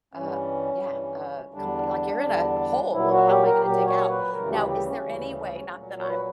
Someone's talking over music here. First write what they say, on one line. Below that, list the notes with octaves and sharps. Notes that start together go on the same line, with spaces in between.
uh, yeah, uh, com like you're in a hole, "L how am I gonna dig out?" Now, is there any way, not that I'm
G2 E3 G3 C#4
G2 E3 G3
E2 D3 G3 D4
E2 D3 G3
A#2 F#3 E4
F#4
G4
A#4
A#2 F#3 G4
C#5
B4
D2 C#3 E3 G3 A#4
G4
G4
C#4
D2 C#3 E3 G3
A#2 F#3
C#5
B4